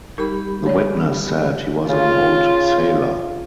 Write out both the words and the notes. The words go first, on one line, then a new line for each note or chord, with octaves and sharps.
The witness said he was an old sailor.
G3 D#4 G4 A#4 B5
C#5 D5
C#3 F4